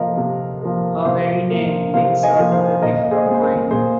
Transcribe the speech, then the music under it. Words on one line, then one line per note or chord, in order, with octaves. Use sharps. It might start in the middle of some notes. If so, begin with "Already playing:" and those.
Her very name links her to the gift of wine.
Already playing: C3 F3 A#3 A#4 D#5 F5
C3
F3 A#3
C3 C5 F5
F3 A#3
C3 C5 F5
D#5 G#5
F3 A#3
C5 F5
A#2 A#4 D#5
D#5
G#4 C5
G#3 C4
C5
A#4
A#2 G#4 C5